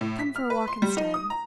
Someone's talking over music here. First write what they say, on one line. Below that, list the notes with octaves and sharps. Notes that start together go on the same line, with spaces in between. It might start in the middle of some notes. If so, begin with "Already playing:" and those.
'Come for a walk instead.
A2
B6
F6
B4
C6
G3
D#4
D#6
A#5